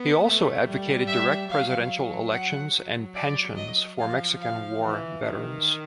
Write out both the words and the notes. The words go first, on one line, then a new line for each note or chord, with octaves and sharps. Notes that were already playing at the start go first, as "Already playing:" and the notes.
He also advocated direct presidential elections and pensions for Mexican War veterans.
Already playing: B3
A3
G3
E5
F#3 F5
F#5
F#3
D5
D#5
F3 F5
F5
E3
D#3